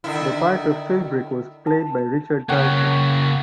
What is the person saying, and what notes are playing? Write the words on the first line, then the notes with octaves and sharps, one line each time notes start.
The part of Philbrick was played by Richard Carlson.
D3 D#3 E4
A5
C#3 A#3 C#5 F#5 G5